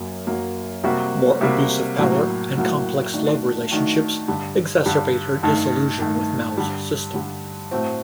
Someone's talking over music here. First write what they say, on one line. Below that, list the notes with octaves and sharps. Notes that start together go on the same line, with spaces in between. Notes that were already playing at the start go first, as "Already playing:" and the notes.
More abuse of power and complex love relationships exacerbate her disillusion with Mao's system.
Already playing: F#2 F#3 A#3
F#2 F#3 A#3
C3 G3 A#3 F#4
C3 G3 A#3 F#4
A2 F#3 A#3 F#4
A2 F#3 A#3 F#4
D#3 A3 D4 F#4
D#3 A3 D4 F#4
G2 D3 G3
G2 D3 G3
G2 D#3 A3
G2 D#3 A3
G2 D3 G3
G2 D3 G3
A2 A3 C4 F#4